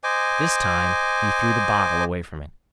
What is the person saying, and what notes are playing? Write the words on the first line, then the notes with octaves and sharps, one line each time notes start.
This time he threw the bottle away from it.
C5 D#5 G#5 D6